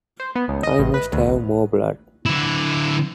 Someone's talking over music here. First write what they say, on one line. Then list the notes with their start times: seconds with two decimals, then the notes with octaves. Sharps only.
I must have more blood!
0.20 C5
0.35 B3
0.48 C#2
0.63 D#5
0.79 A1
0.94 B4
1.13 D2
1.25 A1
2.26 D3 E4